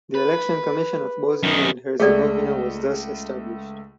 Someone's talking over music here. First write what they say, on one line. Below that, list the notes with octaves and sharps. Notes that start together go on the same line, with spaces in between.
The Election Commission of Bosnia and Herzegovina was thus established.
B4
F#2 D#3
C#2 A3 G#4 A4 D5